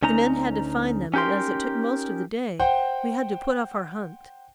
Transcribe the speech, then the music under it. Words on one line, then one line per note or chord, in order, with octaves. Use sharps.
The men had to find them, and as it took most of the day, we had to put off our hunt.
D2 C#4 D#4 A#5
C#4 D#4 G4 A#4 C6
C5 F#5 G5